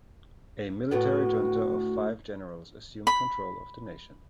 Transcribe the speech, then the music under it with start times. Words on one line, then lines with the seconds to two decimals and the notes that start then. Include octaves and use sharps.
A military Junta of five Generals assumed control of the nation.
0.91 D2 A2 B3 F#4
3.07 B5